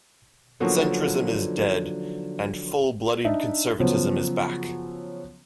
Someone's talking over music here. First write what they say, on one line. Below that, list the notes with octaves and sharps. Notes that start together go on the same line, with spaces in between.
Centrism is dead, and full bloodied conservatism is back...
D3 F3 F#3 A#3 B3 D#4
D4 D#4 E5
C#3 F3 F#3 B3 C#4